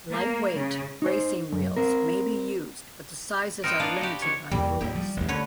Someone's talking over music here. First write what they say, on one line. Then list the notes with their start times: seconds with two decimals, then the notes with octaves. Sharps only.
Lightweight racing wheels may be used, but the sizes are limited by the rules.
0.11 A#3
0.55 C#3
1.02 D#4 C5
1.52 F#2
1.77 C4 A#4
3.64 B3 C4 D#4 A#4 C5 G5
3.80 A#3 D4 F4
4.01 F#4 G4 B4
4.22 D#3 F3 C#5
4.51 E2 A#2 E3 G3
4.81 D1 A#3 G4
4.95 F3 G3
5.17 A1 D#2
5.28 D3 A3 B4 C#5